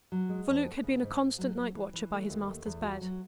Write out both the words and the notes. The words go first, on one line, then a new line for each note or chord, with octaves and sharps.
For Luke had been a constant night-watcher by his master's bed.
F#3
G#3
F2
B3
C#3
G#2
G#2
F#3
F#3
E3
E3
A3
D#2
A3
E2
F#4
F#3